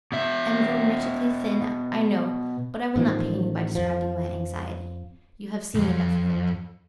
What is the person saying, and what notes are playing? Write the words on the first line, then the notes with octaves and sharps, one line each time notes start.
I am grown wretchedly thin, I know; but I will not pain you by describing my anxiety; you have seen enough of it.
B2 E5
A1 D#3 F3
F2 F3
C2 F2